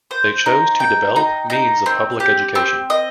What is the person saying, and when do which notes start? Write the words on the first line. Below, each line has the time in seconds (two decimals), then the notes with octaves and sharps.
They chose to develop means of public education.
0.11 C5
0.46 D#4
0.80 G5
1.16 D#4
1.50 D#4
1.86 C4
2.20 G4
2.55 C4
2.90 D#5